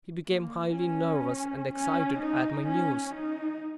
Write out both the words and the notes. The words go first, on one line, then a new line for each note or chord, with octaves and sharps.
He became highly nervous and excited at my news.
A#3
C#4
C#4
D#4
C#4
D#4